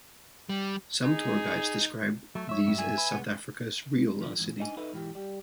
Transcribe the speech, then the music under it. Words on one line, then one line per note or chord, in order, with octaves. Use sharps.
Some tour guides describe these as South Africa's "real" lost city.
G3
D#4 G#4
F#3 A3
F3 C#5 E5
G2 F#3 G3
G#5
B4
C2 G#3 B3 F#5
G#2 D3 F3
E2 G#2
D4 D#4 D#5 G#5
D#4 A4 B4 D#5 E5
B1 G#2 E3 G4
G3 G4